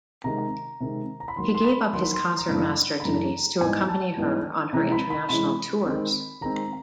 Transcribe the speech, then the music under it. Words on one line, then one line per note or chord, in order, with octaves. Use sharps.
He gave up his concertmaster duties to accompany her on her international tours.
C3 D#3 G#3 A#5
C3 D#3 G#3
A#5
B5
D#3 F#3 A#3 C6
C6
B5
D#3 F#3 A#3 C6
B5
C6
A#5
F#2 C#3 E3 A3 D4 B5
B5
F#2 C#3 E3 A3 D4 A#5
G#2 E3 G3 B3 D#4 G#5
A5
G#2 E3 G3 B3 D#4
C3 E3 G#3 C#4 A#5
B5
B5
C3 E3 G#3 C#4 B5
D#3 G#3 C4
D#3 G#3 C4 A#5